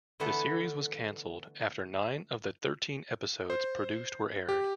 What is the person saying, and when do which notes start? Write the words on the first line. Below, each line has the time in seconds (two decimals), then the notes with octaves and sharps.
The series was canceled after nine of the thirteen episodes produced were aired.
0.20 D3 E3 A3 B3 E4 A4
3.50 C5
4.49 G4